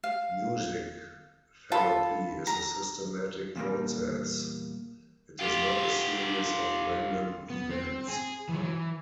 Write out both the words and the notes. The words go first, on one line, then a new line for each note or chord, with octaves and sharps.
Music therapy is a systematic process; it is not a series of random events.
F5
F4 A4 B5
A#5
E2 A#2 G3 A#3
F4 G4
B3
C4
G#4
E3 F#3
E3